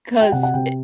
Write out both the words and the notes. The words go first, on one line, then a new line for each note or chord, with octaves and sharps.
'cause, eh,
G5
C3 F#5
F#5
C3 G5